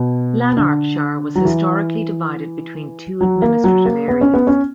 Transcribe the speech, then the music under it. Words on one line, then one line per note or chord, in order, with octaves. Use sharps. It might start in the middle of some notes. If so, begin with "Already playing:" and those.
Lanarkshire was historically divided between two administrative areas.
Already playing: B2
D3
F#3
E3
F#3
A#3
F#3
A#3
B3
C#4
B3
C#4